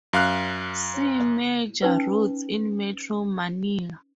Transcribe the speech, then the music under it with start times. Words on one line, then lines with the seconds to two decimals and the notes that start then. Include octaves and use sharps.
See Major roads in Metro Manila.
0.13 F#2 F5 F6 F#6
1.82 C#4 D#4 B4